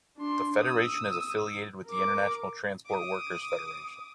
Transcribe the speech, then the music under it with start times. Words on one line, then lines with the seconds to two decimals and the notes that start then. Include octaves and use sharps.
The federation is affiliated with the International Transport Workers Federation.
0.17 D4 C6
0.59 D#6 E6
1.86 A#4 D6
2.85 D6 D#6